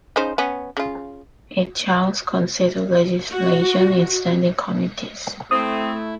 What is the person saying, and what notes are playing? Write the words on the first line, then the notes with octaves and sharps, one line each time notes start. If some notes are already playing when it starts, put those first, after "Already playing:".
Each house considers legislation in standing committees.
C#3 D#4 C5
B3 C#4
C#3 F4
F#4
A3 C4 E4 D#6